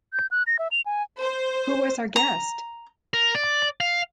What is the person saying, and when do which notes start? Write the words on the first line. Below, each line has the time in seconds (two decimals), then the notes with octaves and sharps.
Who was our guest?
0.13 G6
0.31 F#6
0.47 A#6
0.59 E5
0.71 F7
0.86 G#5
1.23 C5
2.16 A#5
3.13 A#4
3.35 D5
3.80 F5